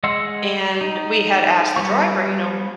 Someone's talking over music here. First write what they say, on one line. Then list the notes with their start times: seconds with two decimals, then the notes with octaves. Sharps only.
and we had asked the driver, you know,
0.04 G#3 D#5 F#5 C6 E6
0.81 D#4
1.76 G3 B3 C#6